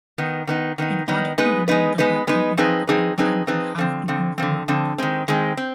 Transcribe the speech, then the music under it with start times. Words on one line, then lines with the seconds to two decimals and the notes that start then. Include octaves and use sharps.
In order to remove the bacteria, the implant would have to be removed.
0.18 D#3 B3 D#4
0.47 D#3 B3 D#4
0.78 D#3 B3 D#4
1.08 D#3 B3 D#4
1.38 G#3 B3 D#4 B4
1.68 G#3 B3 D#4 B4
1.98 G#3 B3 D#4 B4
2.27 G#3 B3 D#4 B4
2.57 F3 C4 D#4 G#4 B4
2.87 F3 C4 D#4 G#4 B4
3.18 F3 C4 D#4 G#4 B4
3.47 F3 C4 D#4 G#4 B4
3.78 D3 F3 C4
4.08 D3 F3 C4
4.38 D3 F3 C4
4.68 D3 F3 C4
4.98 D#3 G#3 C4
5.28 D#3 G#3 C4
5.57 C4